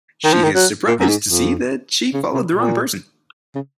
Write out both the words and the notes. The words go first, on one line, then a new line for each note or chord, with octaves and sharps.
She is surprised to see that she followed the wrong person.
D#3
F3
D#3
F#3
A#2
F#2
G#2
F2
C#3
C3
A#2
C#3